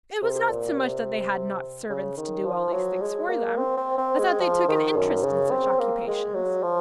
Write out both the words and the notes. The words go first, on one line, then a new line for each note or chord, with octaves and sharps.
It was not so much that they had not servants to do all these things for them, as that they took an interest in such occupations.
C3
A#2
C3
C#3
D#3
F3
F#3
G#3
A#3
C4
C4
C4
G#3
F3
D#3
F#2
C#3
C4
A#3
G#3
F#3
F3